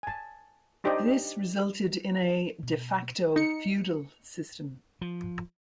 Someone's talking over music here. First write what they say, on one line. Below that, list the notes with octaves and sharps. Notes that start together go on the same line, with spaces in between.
This resulted in a "de facto" feudal system.
G#5 A5
D4 D#4 G4 C5 D5 D#5
B2
D#4 C#7
F3